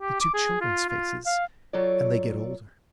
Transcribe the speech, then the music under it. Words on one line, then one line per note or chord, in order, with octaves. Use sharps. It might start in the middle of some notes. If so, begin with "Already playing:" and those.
The two children's faces, and they get older.
G4
D6
G#4
F4
F4
F5
F#3 F4 A4 C#5 D5